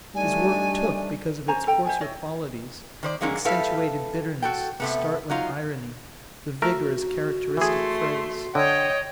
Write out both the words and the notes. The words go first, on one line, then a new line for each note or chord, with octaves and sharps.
His work "took" because of its coarser qualities, the accentuated bitterness, the startling irony, the vigorous, characteristic phrase.
G3 A3 D4 D#4 D5 G#5
C#4 C5 G#5 A#5
A4 G5 A#5
C5 E5 G#5
E4 C#5 D#5
D#3 C5 D5
D3 F3 G#3 A#3 C#4
A2 E4 G4 A4 B4 F5
F#4 A4 G5
C3 A3 B3
F#3 D#4 F4
A3 F#4 A#4
E3 A3 G#4 C6
D3 C#5 D#5 G5